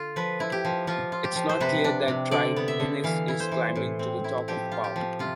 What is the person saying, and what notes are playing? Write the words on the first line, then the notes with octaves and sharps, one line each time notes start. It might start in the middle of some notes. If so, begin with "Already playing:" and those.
It's not clear that Traidenis is climbing to the top of power.
Already playing: D3 F4
F3 B4
E4
G4
F3
F3 F4
F4
G4
F3
C5
C3 B4
D4
C3
D3 D5
B3
E5
D3
E3 F5
E4
C5
E3
A2
C4
E4
F3 G4
F4
G4
F3
C3 F4